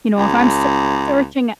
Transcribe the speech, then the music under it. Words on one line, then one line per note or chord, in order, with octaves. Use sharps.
You know, if I'm sear searching uh
C#2